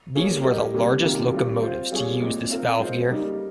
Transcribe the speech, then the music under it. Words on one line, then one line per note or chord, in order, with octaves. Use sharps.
These were the largest locomotives to use this valve gear.
G3 A#3 F4 G#4 C#5
G3 C#4 G4 A#4 D#5
C3 G3 A#3 C#4
C3 D#3 A#3 C#4 F4
G3 C4 F4
C4 F4 C5
G3 C4 F4 G#4 C#5
A#2 G#3 C4
C4 F4 A#4
G#3 C4 F4 C5
C#3 G3 A#3 D#4